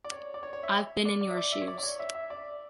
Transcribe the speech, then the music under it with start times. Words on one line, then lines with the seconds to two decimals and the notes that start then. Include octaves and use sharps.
I’ve been in your shoes.
0.04 D5
0.12 C#5
0.34 D5
0.43 C#5
0.53 C#5
0.63 E5
1.05 D5
1.21 D5
1.30 E5
1.37 D5
1.52 E5
1.62 C#5
1.68 D5
1.78 D5
1.83 C#5
1.99 E5
2.15 E5
2.30 D5